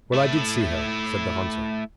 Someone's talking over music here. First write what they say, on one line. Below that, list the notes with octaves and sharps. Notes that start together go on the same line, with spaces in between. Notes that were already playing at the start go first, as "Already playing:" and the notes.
"Well, I did see her," said the hunter.
A3 E4